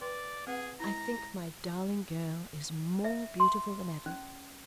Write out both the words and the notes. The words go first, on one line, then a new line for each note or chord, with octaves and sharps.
I think my darling girl is more beautiful than ever.
B4 D5 G5 C6
C4 G#4 B4 F#5
G#3 E4 A#5
E5
C6
C#4